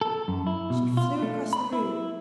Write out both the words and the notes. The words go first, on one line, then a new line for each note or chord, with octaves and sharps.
She flew across the room.
A4
F#2
E4
B2
F4
A3
B5
E4